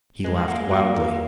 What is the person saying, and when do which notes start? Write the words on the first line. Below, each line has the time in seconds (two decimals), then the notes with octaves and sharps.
He laughed wildly.
0.24 G#3 B4
0.36 G#3
0.48 A#3 F#5
0.59 G#3
0.71 A#3 F#4
0.94 A#4